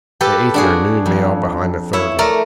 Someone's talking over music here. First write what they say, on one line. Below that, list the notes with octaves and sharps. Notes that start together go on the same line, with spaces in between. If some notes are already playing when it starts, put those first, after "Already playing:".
They ate their noon meal behind a third one.
G4 A4 B4
D4 F#4 G#4
F2
E4 C#5 E5
A3 A#4 D5